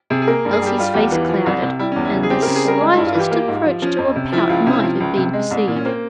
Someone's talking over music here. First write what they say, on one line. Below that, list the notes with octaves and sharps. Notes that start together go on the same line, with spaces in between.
Elsie's face clouded, and the slightest approach to a pout might have been perceived.
C3 G#4
G#4
A#3 A#4
G2
G#4
G3 G4
G3 F4
E2 G4
E3
F3
C2
C3
G3 E4
C#4
E2
E4
C#3
G#4
C4 G4
A#4
C#3
G#4
G3 A#4
G#3
E4
G2
F4
E3 G4
A#3 F4
G#2
F3
F3 C#4
F2
C3
F3 E4
C#2 F4
C3 C#4
E4
F3 C#4
C#2
C3
G#3
C2
A#2
C#4
A#3 C4